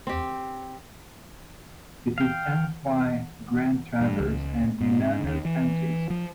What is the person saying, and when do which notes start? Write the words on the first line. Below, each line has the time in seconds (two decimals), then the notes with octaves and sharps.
It is owned by Grand Traverse and Leelanau counties.
0.07 C4 G4
2.18 F5 G5
4.01 G2
4.20 C#2
4.81 G#2
5.24 D#2
5.45 E3
6.10 F3